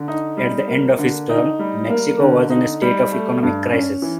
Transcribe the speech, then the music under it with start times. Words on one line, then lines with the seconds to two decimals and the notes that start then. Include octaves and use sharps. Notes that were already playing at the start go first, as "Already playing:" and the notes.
At the end of his term, Mexico was in a state of economic crisis.
Already playing: D3
0.08 D#4
0.37 G3
0.68 A#3
0.99 D3
1.29 D#4
1.59 G3
1.90 A#3
2.20 D3
2.50 D#4
2.82 G3
3.12 A3
3.43 G2
3.72 C#4
4.02 E3